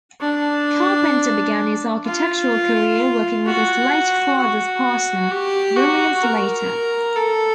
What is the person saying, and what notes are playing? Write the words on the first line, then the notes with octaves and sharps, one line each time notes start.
Carpenter began his architectural career working with his late father's partner William Slater.
D4
F4
F#4
F#4
G4
F#4
A#4
A4